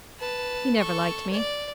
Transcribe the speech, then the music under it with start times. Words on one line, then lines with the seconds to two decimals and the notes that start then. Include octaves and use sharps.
He never liked me.
0.19 B4 A5
0.78 A4 C#6
1.33 D5